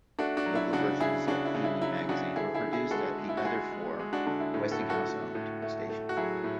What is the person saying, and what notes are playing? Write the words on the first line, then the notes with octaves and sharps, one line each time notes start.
Local versions of "Evening Magazine" were produced at the other four Westinghouse-owned stations.
A3 D4 F#4
D4 F#4
F#3
E4
C#3 D4 F#4
C#3 E4 G#4
C#3 D4 F#4
E4
C#3
E4
F#3 E4
C#3 D4 F#4
D3 E4 G#4
E4 G#4
D3
E4 G#4
G#3 F#4 A4
G#3
E4
F#4
G#3 E4 G#4
G#3
G#3
D4 F#4
D3 D4
E4
A2
F#4 A4
A2
F#4 A4
A2
A2
A3
A3
F#4
F#3 E4 G#4
A2